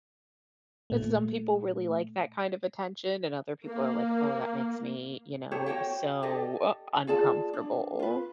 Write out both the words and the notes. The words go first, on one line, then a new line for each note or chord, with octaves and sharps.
Some people really like that kind of attention and other people are like, "Oh, that makes me, you know, so u uncomfortable."
A#2 A3
A#3
G4 A4 C5 C#5
F#4 C5 C#5 G5
G4 A4 D5 D#5
F4 G#4 D5 A5
D4
F4 B4